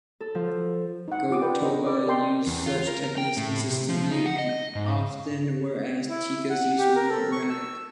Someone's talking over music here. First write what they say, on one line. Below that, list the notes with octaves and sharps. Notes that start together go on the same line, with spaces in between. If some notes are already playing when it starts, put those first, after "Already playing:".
Go-Toba used such techniques consistently and often, whereas Teika's use was more erratic.
A4
F3
D#4 F#5
C#4 F4 G4 D6 D#6
A#4 B4 D5 F#5 G5
C#4 D4 A#4 D#5
B4 D5 D6
A#4 D5 D#5 G5 C6
E2
F4
A#4
A#4
G5
A2
C3
F3
D#4
F#5
D#5
G#2
E4
F#5
G4
A#4
A4
C#6
E6